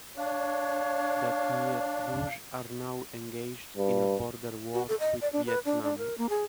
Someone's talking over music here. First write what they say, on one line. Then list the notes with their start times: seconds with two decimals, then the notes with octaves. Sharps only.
The Khmer Rouge are now engaged in a border war with Vietnam.
0.17 D4 C#5 F5
3.77 G2
4.73 F#4
4.88 A4
5.00 D#5
5.21 D5
5.33 D4
5.47 B4
5.65 D4
5.83 D4
5.98 A#4
6.18 A#3
6.29 G#4